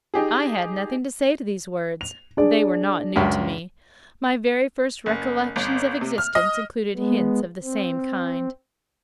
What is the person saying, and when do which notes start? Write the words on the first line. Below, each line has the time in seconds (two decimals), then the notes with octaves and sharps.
I had nothing to say to these words: they were not new to me: my very first recollections of existence included hints of the same kind.
0.14 D#4 G4 G#4
2.01 F7
2.37 D4 G#4 D5
3.16 C#2 F#2
5.06 F#1
5.56 G1
6.01 C3
6.18 F6
6.35 D#5
6.95 G#3 B3
7.63 C4